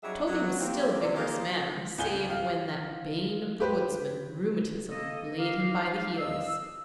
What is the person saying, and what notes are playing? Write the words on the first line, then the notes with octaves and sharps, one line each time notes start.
Toby was still a vigorous man save when that bane of the woodsman, rheumatism, laid him by the heels.
F#3 G3 C#4 D#4 G#4 E5
F#3 F#4
A#3 C4 G4
C3 D5
A#3 F4 G4 G#4
C#2 G#5 G7
F5
G4 B4 C5
A#3 A4 D#5
D#4 G4 F5
D#5 F5 E6